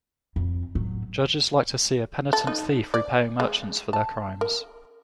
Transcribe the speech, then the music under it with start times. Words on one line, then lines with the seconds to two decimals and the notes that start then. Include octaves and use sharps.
Judges like to see a penitent thief repaying merchants for their crimes.
0.36 F2
0.75 A2 F#3
2.33 A4
2.47 D#4
2.94 D5
3.40 G#3
3.93 A5
4.41 A#4